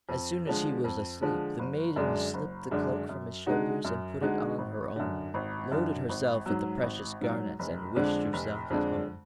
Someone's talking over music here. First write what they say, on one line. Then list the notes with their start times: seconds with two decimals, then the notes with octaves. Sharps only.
As soon as he was asleep, the Maiden slipped the cloak from his shoulders and put it on her own, loaded herself with the precious garnets, and wished herself at home.
0.09 F2
0.46 D3 F3 G#3
0.84 F2
1.21 D3 F3 G#3
1.59 F#1
1.96 F#2 D3 G#3 D4
2.34 F#1
2.71 F#2 D3 G#3 D4
3.09 F#2
3.46 D3 G#3 D#4 F#4
3.84 F#2
4.21 D3 G#3 D#4 F#4
4.58 G#1
4.96 F#2 D3
5.34 G#1
5.71 F#2 D3
6.09 G#1
6.46 G#2 F#3
6.83 G#1
7.21 G#2 F#3
7.59 F1
7.96 F2 D3 G#3 D4
8.33 F1
8.70 F2 D3 G#3 D4